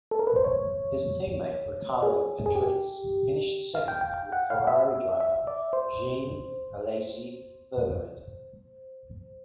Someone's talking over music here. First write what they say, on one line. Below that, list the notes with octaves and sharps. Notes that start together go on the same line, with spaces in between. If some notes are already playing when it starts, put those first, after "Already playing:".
His teammate Riccardo Patrese finished second with Ferrari driver Jean Alesi third.
A4
A#4
B4
C5
C#5
G#4
G#4
G4
F5
G5
G5
G5
F#5
F5
E5
E5
D5
C5